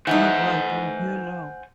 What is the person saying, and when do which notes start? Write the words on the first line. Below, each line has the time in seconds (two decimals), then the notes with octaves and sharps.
Alright. I'm here now.
0.07 E3 A3 D#4 C5 F#5 G#5